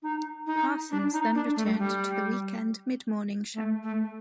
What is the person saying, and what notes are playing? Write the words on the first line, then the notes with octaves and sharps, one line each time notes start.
Parsons then returned to the weekend mid-morning show.
D#4
D#4
D4
D#4
D4
A3
G3
A3
A3